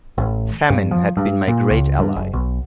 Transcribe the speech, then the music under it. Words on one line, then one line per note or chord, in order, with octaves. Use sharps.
Famine had been my great ally.
A1
G2
F3
G2
A#2
C#2
G2
F#1
B1